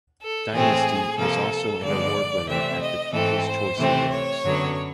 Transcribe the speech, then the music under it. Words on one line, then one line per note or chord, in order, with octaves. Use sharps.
"Dynasty" was also an award winner at the People's Choice Awards.
A4
A2 E3 A3 C4 G#4
C3 F3 A#3 A4
G2 D3 F3 G#3 B3 D5
C3 E3 A3 C4 E5
D#5
G#2 E3 A3 C4 A4
C5
C3 E3 A3 C4
C#5
F#2 D3 F#3 B3